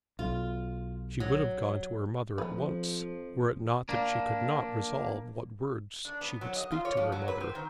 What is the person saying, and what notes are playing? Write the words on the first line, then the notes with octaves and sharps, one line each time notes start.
She would have gone to her mother at once, were it not that she could not resolve what words she would speak to her mother.
B1 F4
F#3
F2 F3 D#4 B4
A#3 D4
D4
B3
F#3
D#5
F4
C#5
F3
F#3
B4
C4
D#3